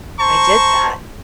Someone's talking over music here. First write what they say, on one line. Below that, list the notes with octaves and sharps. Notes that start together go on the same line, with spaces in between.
I did that.
C5 A5 A#5 C#6